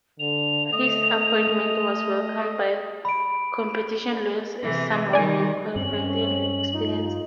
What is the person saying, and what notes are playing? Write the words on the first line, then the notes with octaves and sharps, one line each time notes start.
His appointment was welcomed by competition lawyers as someone well qualified and experienced.
D3 F7
A3 D#5
B5 D7
C3 E3
D#3 G3 D5 G#5
G2 G3 G#3 C4 C#4 F#7
D#4 F4